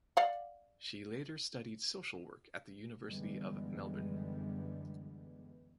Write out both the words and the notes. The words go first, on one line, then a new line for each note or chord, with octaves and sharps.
She later studied social work at the University of Melbourne.
D5 F5 F#5
F#2 D3 E3 G3 G#3 B3